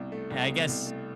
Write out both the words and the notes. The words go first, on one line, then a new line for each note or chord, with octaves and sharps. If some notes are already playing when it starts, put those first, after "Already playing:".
and I guess
Already playing: C2 B2
A3
C2
B2
C2
A3